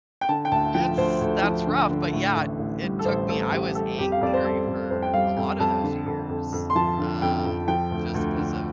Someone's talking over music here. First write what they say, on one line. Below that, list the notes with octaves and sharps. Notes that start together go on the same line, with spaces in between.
that's that's rough but yeah, it took me I was angry for a lotta those years, um, just 'cause of
G5
D3 A5
G5
D2 A5
F3 G5
D2 C5
D2
F3
D3
D3
A2
A1
A1
G3
A4
A1 C5
A1 A4
A1 G4
G3 A4
F2 G4
F5
F2 D5
C5
G3 A4
F2
F2 C5
G5
G3 F5
F2 G5
F2 A5
D3
F2
F2
F2
C6
F3 A5
D3
F2 G5
F2
F3 G5
D2
D2
D3